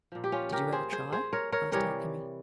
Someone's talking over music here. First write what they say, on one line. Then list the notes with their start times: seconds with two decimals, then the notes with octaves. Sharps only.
"Did you ever try?" asked Aunt Emmy.
0.12 A#2 F3
0.24 G4
0.32 C#4 F4
0.52 G4 A#4
0.72 G#4 C5
0.92 G#4 C5
1.12 G#4 C5
1.33 A#4 C#5
1.52 A#4 C#5
1.72 C3 E3 G3 A#4 C#5